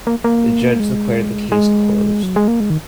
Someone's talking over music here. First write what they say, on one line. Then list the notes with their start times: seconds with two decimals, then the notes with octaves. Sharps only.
The judge declared the case closed.
0.07 A#3
0.24 A#3
0.80 G#3
1.52 G#3
2.23 F#3
2.36 G#3
2.48 A#3
2.60 G#3
2.70 D#3